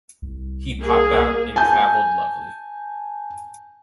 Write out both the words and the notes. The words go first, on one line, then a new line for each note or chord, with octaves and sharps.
He popped out and travelled lovely.
C2
A#3 G#4
G#5 A5 G6